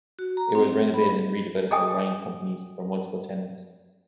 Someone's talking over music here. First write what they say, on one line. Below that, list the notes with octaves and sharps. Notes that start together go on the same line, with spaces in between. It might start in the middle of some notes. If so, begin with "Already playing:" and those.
It was renovated and redeveloped by Ryan Companies for multiple tenants.
F#4
A#5
C4
B5
G#4 A4 D#5 G5 G#5 D#6